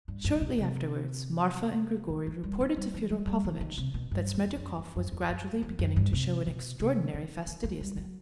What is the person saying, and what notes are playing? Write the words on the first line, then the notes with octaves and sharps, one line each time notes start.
Shortly afterwards Marfa and Grigory reported to Fyodor Pavlovitch that Smerdyakov was gradually beginning to show an extraordinary fastidiousness.
G2
G2
A2
B2
C3
D#3
E3
G3
A3
G3
E3
G3
G3
E3
D#3
C3
B2
G2
E2
F#2
E2
F#2
E2
F#2
E2
F#2
G2
C3
B2
C3
D#3
D#3
A3
G3
F#3